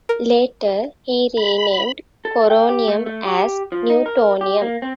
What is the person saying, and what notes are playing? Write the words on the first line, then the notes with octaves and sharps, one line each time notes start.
Later he renamed coronium as newtonium.
A#4
B5
A4
G5
G4
A3
A3
G4
F3
D#4
A#4
G4
A#3
C4